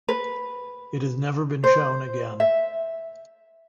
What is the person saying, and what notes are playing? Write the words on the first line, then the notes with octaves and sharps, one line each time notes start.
It has never been shown again.
B4
C5
E5